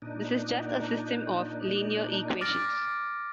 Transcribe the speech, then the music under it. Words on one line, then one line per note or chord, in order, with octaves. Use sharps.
This is just a system of linear equations.
A#2 D4 D#4
D6 F6 A6 A#6 D7